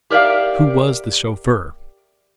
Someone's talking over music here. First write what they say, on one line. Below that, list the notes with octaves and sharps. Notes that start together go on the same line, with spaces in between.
Who was the chauffeur?
G4 A#4 D5 E5 F5